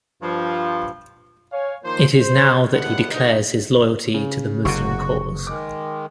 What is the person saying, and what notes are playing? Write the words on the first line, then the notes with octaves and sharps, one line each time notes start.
It is now that he declares his loyalty to the Muslim cause.
G2 F3
C#5 F5 G#5
D#3 F3 A#3 C5
C5
D#2 A2 D3 B3 F#5
D2 A#2 D3 D#4
C#3
F#1 C3 F#4 C#6
D#3 G#3 D6